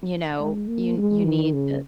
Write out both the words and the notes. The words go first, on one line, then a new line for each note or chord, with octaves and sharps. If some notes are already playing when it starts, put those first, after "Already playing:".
You know? You you need to
G#3
A#3
G#3
D#3
C#3